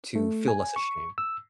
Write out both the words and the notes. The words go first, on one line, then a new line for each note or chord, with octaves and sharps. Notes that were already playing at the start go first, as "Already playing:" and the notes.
to feel less ashamed?
A3
G#5
C#6
E6